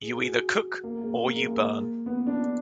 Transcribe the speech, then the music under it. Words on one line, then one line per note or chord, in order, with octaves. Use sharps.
You either cook or you burn.
G#4
G#4
F#4
A#3
A#3
G#3
A#3
G#3
A#3
B3
D4